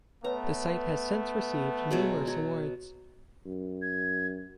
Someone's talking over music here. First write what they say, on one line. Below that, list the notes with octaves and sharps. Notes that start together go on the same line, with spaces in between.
The site has since received numerous awards.
A3 B3 B4 C#5 A#5
B2 F#3 G#3
F#3
F#2
G#6